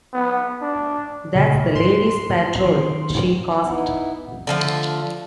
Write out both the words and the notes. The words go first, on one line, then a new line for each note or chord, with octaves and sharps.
"That's the laddies' patrol," she gasped.
B3
D4
A#2 C#3
G#2 C6
D#3
B3 D#4 E4
D3 F3 A3